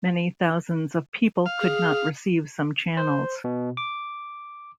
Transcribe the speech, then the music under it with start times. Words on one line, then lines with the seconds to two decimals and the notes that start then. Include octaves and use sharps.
Many thousands of people could not receive some channels.
1.46 F5
1.59 G#4
2.97 C5
3.44 B2
3.77 D6